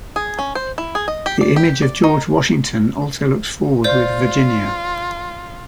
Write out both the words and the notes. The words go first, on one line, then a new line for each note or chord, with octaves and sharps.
The image of George Washington also looks forward with "Virginia".
G#4
C#4
C5
E4
G#4
D#5
G4
D5
G4
D5
D#4
F4 C5 D5 G6